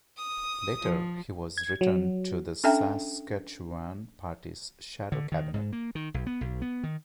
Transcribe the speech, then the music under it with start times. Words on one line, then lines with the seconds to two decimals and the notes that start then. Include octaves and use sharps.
Later he was returned to the Saskatchewan Party's shadow cabinet.
0.17 D#6
0.80 F3
1.57 G#6
1.81 F#3
2.64 C#4 D4 A4 E5 G5 A#5
5.12 D3
5.32 D#3
5.54 G#2
5.73 A#3
5.95 D#3
6.14 B1
6.27 B3
6.41 B1
6.62 B3
6.84 D#3